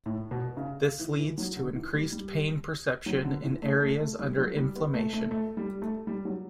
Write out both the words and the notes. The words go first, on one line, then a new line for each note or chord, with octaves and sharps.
This leads to increased pain perception in areas under inflammation.
A2
B2
C#3
E3
E3
F#3
D3
E3
G3
G3
F#3
D3
E3
A3
A3
A3
G3
F#3
G3
B3
A3
A3
A3
G3
A3
G3
F#3